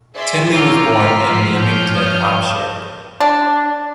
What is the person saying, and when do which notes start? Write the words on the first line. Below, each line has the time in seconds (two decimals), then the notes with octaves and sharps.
Tinley was born in Lymington, Hampshire.
0.15 G#4 D5 E5 C6
0.54 F4 C#5 A#5 D6 E6 F6 G6
0.97 C6 F6 B6
1.30 F3
1.60 C#5 F6 G6
1.96 D#6
3.20 D4